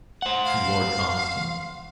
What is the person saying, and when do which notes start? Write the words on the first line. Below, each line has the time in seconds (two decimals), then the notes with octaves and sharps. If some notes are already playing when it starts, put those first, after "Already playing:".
"And Lord Conniston?"
0.22 C5 F#5
0.45 F5